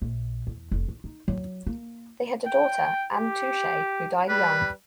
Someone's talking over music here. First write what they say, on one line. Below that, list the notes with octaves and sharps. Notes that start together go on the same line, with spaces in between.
They had a daughter, Anne Touchet, who died young.
A#1
E2
F1
D4
D#4
F#3
A#3
G5
G4
G3 B4